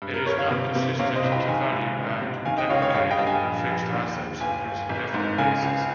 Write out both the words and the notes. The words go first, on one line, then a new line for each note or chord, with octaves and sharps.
It is not consistent to value and depreciate fixed assets using different bases.
G2
A#4
G1 A#4 C#5
C#5 F5
C3
C3
C3 C#5 F5
C5 D#5
C2
D#5 G5
D#3 F5 G#5
G#2
C#2
C3
D#3 F5 G#5
D#5 G5
C#2 C#5 F5
C#5 F5
G2 C#5 F5
D#5 G5
G2
F5 G#5
A#1
A#1
D#2
D#2
G1 F5 G#5
G1
G#1
G#2
C#3 F5 G#5
C#2